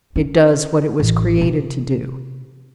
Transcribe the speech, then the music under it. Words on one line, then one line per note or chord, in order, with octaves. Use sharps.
It does what it was created to do.
C#4
A1
C3